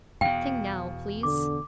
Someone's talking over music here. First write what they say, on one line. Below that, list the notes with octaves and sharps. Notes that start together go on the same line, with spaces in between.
'Sing now, please.'
E2 B2 F5 G5
D3 D6